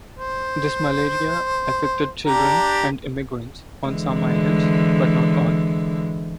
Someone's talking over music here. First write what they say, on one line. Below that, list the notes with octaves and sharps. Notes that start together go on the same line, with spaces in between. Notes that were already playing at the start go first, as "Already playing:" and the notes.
This malaria affected children and immigrants on some islands but not all.
C5
D4 G4 A#5
D3 E3 G#3